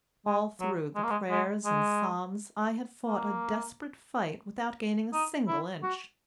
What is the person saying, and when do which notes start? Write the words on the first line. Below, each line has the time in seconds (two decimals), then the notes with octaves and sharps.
All through the prayers and psalms I had fought a desperate fight without gaining a single inch.
0.26 G#3
0.60 F#3
0.96 G#3
1.04 A#3
1.11 G#3
1.30 G#3
1.65 G#3
3.05 A#3
5.13 D#4
5.48 E4
5.83 F#4